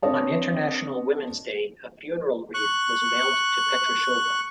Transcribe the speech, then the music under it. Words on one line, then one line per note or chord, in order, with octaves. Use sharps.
On International Women's Day, a funeral wreath was mailed to Petrushova.
C4 D4 B4 C#5 D#5 A5
C#6 F#6